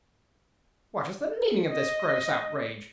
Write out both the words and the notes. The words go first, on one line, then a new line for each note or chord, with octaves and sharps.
'What is the meaning of this gross outrage?
D#5